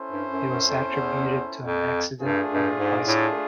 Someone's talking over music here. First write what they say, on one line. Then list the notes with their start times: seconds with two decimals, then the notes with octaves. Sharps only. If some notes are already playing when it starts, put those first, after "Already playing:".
It was attributed to an accident on her bicycle.
Already playing: C#4 E4 A4 C5
0.11 G2
0.31 F#2
0.49 F#2
0.68 F2
0.88 E2
1.64 F2
2.21 G2 A3 D4 F4 G#4
2.50 G2
2.78 G#2
3.07 A2